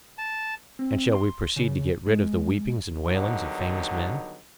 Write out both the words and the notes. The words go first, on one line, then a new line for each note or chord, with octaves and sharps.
And shall we proceed to get rid of the weepings and wailings of famous men?
A5
C4
C6
C#3
G#3
D3 D#3 F#3 G3 B3 D#4